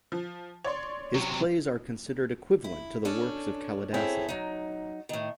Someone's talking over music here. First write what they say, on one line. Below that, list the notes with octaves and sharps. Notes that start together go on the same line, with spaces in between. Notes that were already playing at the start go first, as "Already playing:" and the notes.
His plays are considered equivalent to the works of Kalidasa.
F3
C#5 D5 C6
C3 F#3
E4
C#4 D4 A4
C4 E4 G#4 A4 C5 C#5
F#3 D#4
A2 D#3